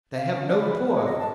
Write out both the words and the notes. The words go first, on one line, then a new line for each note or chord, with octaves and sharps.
They have no poor.
F5
C#4
D4
B5
B4
G#3
D#5
A5